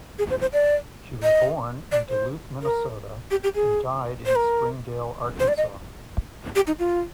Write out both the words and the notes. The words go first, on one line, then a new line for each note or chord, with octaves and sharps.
She was born in Duluth, Minnesota and died in Springdale, Arkansas.
G#4
C5
C5
D5
D#5
D5
C5
A#4
G4
G4
G#4
C5
A#4
C5
D5
D#5
G4
D#4
F4